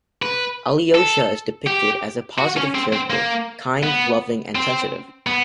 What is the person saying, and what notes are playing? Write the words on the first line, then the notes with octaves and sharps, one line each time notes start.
Alyosha is depicted as a positive character, kind, loving and sensitive.
B4
A4
G4
F#4
C#4
C4
C4
A#3
B3
C4
B3